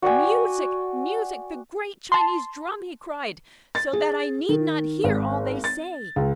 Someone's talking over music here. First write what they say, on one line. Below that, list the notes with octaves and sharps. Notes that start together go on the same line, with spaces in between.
"Music! music! the great Chinese drum!" he cried, "so that I need not hear all they say!"
F#4 D5 G5 G#5
A5 C6
A6
G#4
D#3
G#1
A6
C#2